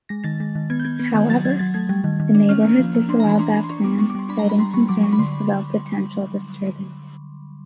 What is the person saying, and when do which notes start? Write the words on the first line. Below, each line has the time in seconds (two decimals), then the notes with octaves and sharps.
However, the neighborhood disallowed that plan, citing concerns about potential disturbance.
0.09 G#3 A#6
0.24 D#3 A6
0.40 G#3
0.55 D#3
0.70 B3 G#6
0.80 G6
0.85 B3 G#6
0.99 B3
1.15 D#3
1.29 F#3 A6
1.45 F#3 G#6
1.59 F#3 A6
1.74 A3 G#6
1.89 G3
2.04 D#3
2.20 D#3
2.35 D4
2.49 C#4 F6
2.65 A#3
2.79 F3
2.95 A#3
3.09 D4 C6
3.20 A#5
3.25 E3 B5
3.39 D4 C6
3.54 D4
3.64 C6
3.70 D4 C#6
3.84 B3 D6
3.99 G3 C#6
4.10 D6
4.15 G3 C6
4.29 D4 B5
4.39 A#5
4.44 G3
4.50 B5
4.59 G3 C6
4.74 G3 C#6
4.89 F#3 D6
5.03 F#3 C#6
5.13 B5
5.19 D3 C6